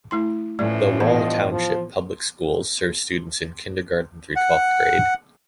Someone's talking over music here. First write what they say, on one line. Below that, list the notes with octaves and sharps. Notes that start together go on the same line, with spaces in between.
The Wall Township Public Schools serve students in kindergarten through twelfth grade.
A3 E4 C6
A2 E3 F3 A3 C#4 D5
G2 E3 F3 B3 D#5 A5
F3
F#5